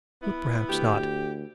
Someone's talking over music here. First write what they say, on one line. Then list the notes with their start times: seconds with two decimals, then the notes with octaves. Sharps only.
But perhaps not.
0.22 B3 E4
0.69 D2 G4